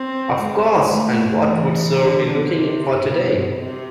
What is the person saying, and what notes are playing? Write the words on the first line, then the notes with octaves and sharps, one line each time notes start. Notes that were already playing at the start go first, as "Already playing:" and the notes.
Of course, and what would sir be looking for today?
Already playing: C4
G#3
A3
E3
D3
C3
B2
C3